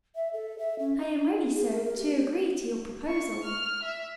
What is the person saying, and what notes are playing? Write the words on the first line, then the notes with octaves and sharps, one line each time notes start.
I am ready, sir, to agree to your proposal.
E5
A4
E5
C#4
D#4
G#4
A#4
A#4
G4
C#6
F6
E5